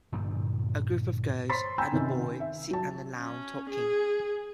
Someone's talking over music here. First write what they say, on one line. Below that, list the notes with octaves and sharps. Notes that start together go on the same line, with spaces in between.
A group of girls and a boy sit on the lawn talking.
G2 A#2 D3 F3
C5 C#5 B5 C6 A6 B6
G5 G#5 A#5 B5 E6 G6
C3 D#3 C#4
E5
F#3 A5
C#4
G#4